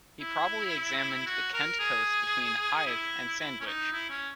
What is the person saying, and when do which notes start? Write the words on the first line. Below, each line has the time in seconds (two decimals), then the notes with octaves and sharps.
He probably examined the Kent coast between Hythe and Sandwich.
0.21 E4
1.26 F#4
1.54 A#4
1.79 G#4
2.86 E4
3.40 E4
3.60 C#4
3.66 D#4
3.92 E4
4.10 C#4